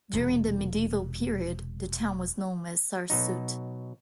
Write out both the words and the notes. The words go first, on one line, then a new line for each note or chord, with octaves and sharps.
During the medieval period, the town was known as Sarsuti.
E1 C3
B2 F#3 D#4